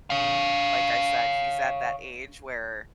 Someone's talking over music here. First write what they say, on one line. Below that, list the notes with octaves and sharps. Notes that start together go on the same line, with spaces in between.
like I said, he's at that age where
C#5 F5